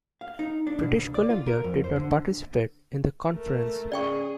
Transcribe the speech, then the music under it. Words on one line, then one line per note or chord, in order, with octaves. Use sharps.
British Columbia did not participate in the conference.
F5
D#4
D4
B2
C#2
D5
F4
A#4
F2
C5
D3
A3 A#4
C#3 G#4 D5 G5 C#6